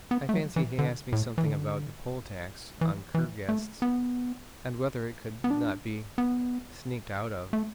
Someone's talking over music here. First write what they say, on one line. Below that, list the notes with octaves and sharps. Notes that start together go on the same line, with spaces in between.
I fancy he asked me something About the poll-tax on Kur-guests, and whether it could not be sneaked out of.
B3
A3
F#3
E3
D3
A2
E3
D3
E3
E3
A3
B3
B3
D4
B3
A3